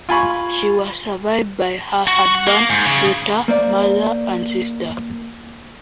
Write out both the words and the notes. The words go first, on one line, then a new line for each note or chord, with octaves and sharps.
She was survived by her husband, daughter, mother, and sister.
F4 G#5 B5 C#6
F#4
F#5
A#3
G#2
C#3
A#3 C5 D5